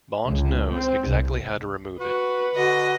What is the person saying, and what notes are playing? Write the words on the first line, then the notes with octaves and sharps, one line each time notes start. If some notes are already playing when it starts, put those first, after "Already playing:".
Bond knows exactly how to remove it.
C#2
C4
C2
F#4 B4
D3 F#4 D#5